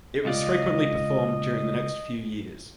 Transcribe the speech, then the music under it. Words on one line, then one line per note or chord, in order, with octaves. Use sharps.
It was frequently performed during the next few years.
C#2 F4 D5 D#5